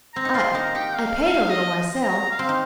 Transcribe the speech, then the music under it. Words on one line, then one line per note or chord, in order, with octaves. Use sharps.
I--I paint a little myself.'
C4 A#5
D#4
C4 F4 C6
A#3 D#4 A#5
D#4 G4 G5
F5
F5
D#5
A#5
F5
C4
D#4